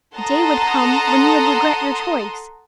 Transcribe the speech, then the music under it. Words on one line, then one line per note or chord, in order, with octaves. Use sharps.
The day would come when you would regret your choice.
A4 F#5 A5 A#5 C6 D#6